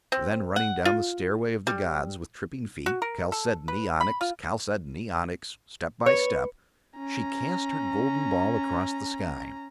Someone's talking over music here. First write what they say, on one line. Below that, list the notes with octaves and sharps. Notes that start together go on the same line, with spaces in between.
Then running down the stairway of the gods with tripping feet, chalcedony, onyx, chalcedony, onyx, step by step, she cast her golden ball across the sky.
C4
F#5
F4
G3
F#4
A#4
A4
B4
B5
F4
B4 C#5
C#4 A#5